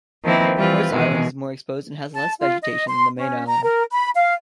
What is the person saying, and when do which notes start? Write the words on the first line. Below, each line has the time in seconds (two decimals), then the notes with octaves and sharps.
Quartz Island is more exposed and has less vegetation than the main island.
0.24 D#3 F3 A#3 C4 E4 B4
0.57 E3 G3 C4 F4 B4
0.91 B2 D#3 E3 G#3 G#4
2.13 A5
2.40 F4
2.61 D#5
2.87 C6
3.17 C#4
3.46 A#5
3.64 A#4
3.91 B5
4.15 F5